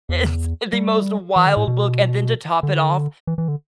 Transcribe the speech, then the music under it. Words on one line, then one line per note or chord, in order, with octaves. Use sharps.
It's the most wild book and then to top it off,
E2
G3
E3
D3
A2
B2
D3
E3
E3
D3